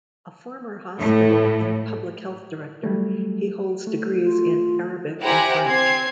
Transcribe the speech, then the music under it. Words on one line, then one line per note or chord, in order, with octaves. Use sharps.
A former hospital and public health director, he holds degrees in Arabic and French.
A2
F#3 G3 A3
A3
F4
E4 G4 C5 F#5 G#5 A#5
C4 G#6 C7